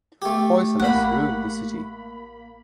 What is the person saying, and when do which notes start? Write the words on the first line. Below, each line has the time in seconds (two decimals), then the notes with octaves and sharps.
Hoysalas ruled the city.
0.22 A3 G4
0.80 A1 A#3 F#5 B5